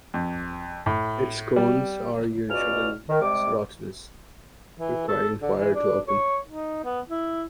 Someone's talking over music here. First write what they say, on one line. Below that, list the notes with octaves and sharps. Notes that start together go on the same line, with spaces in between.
Its cones are usually serotinous, requiring fire to open.
F2
A2
G3
C#2 B2 F#4 D5 F6
D#3
C3 G3 G#3 D6
E3
A4
D3
E3
D4
C#5
D#4
B3
E4